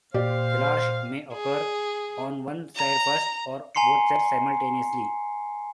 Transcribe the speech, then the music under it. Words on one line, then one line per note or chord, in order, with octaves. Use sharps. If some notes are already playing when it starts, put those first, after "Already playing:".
Thelarche may occur on one side first, or both sides simultaneously.
A#2 G4 C5 D5 F5
G#4
A#5
G#5 A#5 C6 C7 C#7